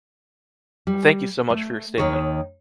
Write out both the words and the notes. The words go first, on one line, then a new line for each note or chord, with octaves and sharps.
Thank you so much for your statement.
G3
A3
D#2 D#3 C#5